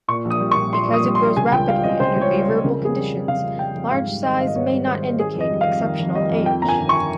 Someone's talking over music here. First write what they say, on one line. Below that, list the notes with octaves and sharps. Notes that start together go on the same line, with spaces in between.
Because it grows rapidly under favorable conditions, large size may not indicate exceptional age.
A#2 C#6
A#1
D#6
G3
C#6
A#1
A#2 C6
A#1
D#6
G3
C6
A#1
C#3 G#5
C#2 G5
G3 F5
C#2 D#5
C#3 C5
C#2
C#5
G3
C5
C#2
C#3 A#4
F2
G#4
G3
F2
C#3 F5
F2
G3 G5
F2
G#2 F5
G3
D#3 D#5
G#1 F5
D#5
G#2 C#5
G3
D#3 C5
G#1
D#3 G#4
F2
D#5
G3
F5
F2
D#3 F5
F2
G3 D#5
F2
F2 G5
G1 A#5
G#5
D#3
C#6